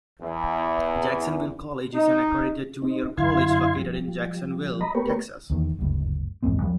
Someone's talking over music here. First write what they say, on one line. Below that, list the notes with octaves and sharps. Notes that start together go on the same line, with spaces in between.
Jacksonville College is an accredited two-year college located in Jacksonville, Texas.
E2
D#4
C4 D#4
F#2 D3 E4 F5 C6 G#6
F3 G3
D#5 A#5 B5
A3 B3 G4 A#4 B4 C#5
E2 D#3
F#1 D2 G2
A#1 E2 G#2 C4
F2 F3 G3